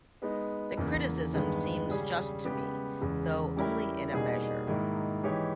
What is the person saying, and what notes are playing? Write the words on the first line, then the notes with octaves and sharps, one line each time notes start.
The criticism seems just to me, though only in a measure.
G#3 B3 D#4
E2 C#3 E3 A#3
G2 D#3 G#3 B3
C#3 G3 C#4 G#4
C#3 G#3 B3 G4
E2 C#3 G#3
G3 C#4 E4 G4 A#4
B2 G3 A#3 D#4 G#4
G#2 D#3 A#3 E4
E3 G#3 D#4 G4 C#5